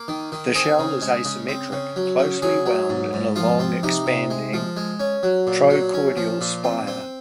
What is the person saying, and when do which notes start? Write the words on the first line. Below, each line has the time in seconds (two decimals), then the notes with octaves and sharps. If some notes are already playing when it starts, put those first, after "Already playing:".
The shell is asymmetric, closely wound in a long expanding trochoidal spire.
Already playing: A#3
0.08 D#3
0.32 D#3
0.55 C4 G#4
0.79 C#3
1.02 G#3
1.25 C#3
1.49 C4
1.72 C#3
1.96 F#3
2.19 C#3
2.42 F#3 G#4
2.66 F#3
2.89 G#2
3.13 G#2
3.36 F3 F4
3.59 C4
3.83 C3 D#4
4.06 C3
4.30 G#3
4.53 F3
4.77 G#3
5.00 C#4
5.23 F#3
5.47 A#2
5.70 F#3
5.94 C#4
6.17 F3
6.41 A#2
6.64 C4
6.87 C4